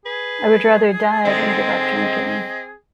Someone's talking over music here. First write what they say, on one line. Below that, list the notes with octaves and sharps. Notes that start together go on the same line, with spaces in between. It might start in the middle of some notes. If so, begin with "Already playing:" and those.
I would rather die than give up drinking.
G#4 B4
G#2 D3 G#3 C4 D#5